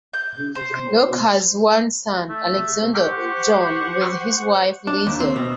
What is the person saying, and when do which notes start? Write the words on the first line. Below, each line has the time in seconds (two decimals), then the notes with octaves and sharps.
Rock has one son, Alexander John, with his wife Liza.
0.13 G6
0.55 C5
2.29 A3
2.94 G4 C5 F#5 C#6
4.87 D4
5.07 D#2
5.20 C4
5.36 B2